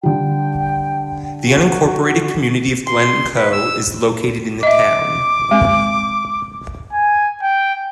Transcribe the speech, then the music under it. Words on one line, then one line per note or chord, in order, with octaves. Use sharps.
The unincorporated community of Glencoe is located in the town.
D3 G3 G5
F#4
C6
B4
E6
D#5 E5 D6
G#3 C4
G#5
G5